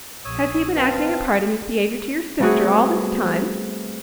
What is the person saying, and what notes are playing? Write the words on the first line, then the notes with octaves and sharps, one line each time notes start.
Has he been acting a part in his behaviour to your sister all this time?
A#1 C#5 D#6 E6
C4 B4 F5 A5
G3 A3 B3 C4 F#4 G#4